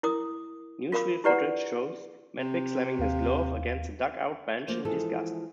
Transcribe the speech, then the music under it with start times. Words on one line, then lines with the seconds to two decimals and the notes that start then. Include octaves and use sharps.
Newsreel footage shows Medwick slamming his glove against the dugout bench in disgust.
0.03 E4 A#4 D6 D#6
0.92 F4 A#4 F5 B5 D6
1.24 E4 G4 B4 D5 F#5 A#5
2.39 C3
2.99 D#2 F5
4.68 D3 F3 A#3 C5
4.85 E3 F3 G#3 A4